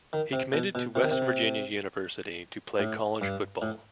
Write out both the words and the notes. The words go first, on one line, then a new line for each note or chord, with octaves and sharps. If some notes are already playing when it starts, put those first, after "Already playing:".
He committed to West Virginia University to play college football.
D#3
C3
B2
B2
C3
D#3
C3
A2
G2
A2